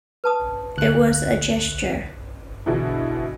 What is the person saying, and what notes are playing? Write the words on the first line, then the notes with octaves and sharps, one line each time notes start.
It was a gesture.
B4 A5 D#6
D2 F#6
B2 D3 E3 D4 E4 G#4